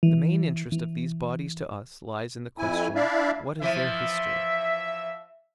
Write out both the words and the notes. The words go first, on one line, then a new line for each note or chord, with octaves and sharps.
The main interest of these bodies to us lies in the question, What is their history?
E3
E3
F2 E4 G#5
D4 E4 D5 E5 F5
E3 F3 E5